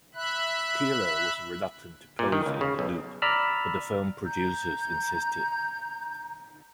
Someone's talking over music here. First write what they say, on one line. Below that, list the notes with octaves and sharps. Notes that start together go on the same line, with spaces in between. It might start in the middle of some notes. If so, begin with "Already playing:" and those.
Keeler was reluctant to pose in the nude, but the film producers insisted.
E5 B5 F#6
A#2
D#3
C#2
C#3
B1
D5 A#5 B5 E6 F6
A#5 G6